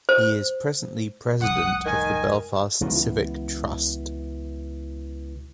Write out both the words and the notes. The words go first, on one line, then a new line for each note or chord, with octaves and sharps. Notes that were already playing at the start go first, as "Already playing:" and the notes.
He is presently President of the Belfast Civic Trust.
C5
F1 C2 F#5 D#6
D#3 G#5
C#2 B2 E3